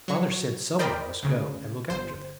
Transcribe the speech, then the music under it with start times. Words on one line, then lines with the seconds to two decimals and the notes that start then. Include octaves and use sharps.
Father said some one must go and look after them.
0.08 F#3 C#6
0.79 A#4 C5 D5 D#5 G5 B5
1.23 D2 C#3
1.90 G1 C5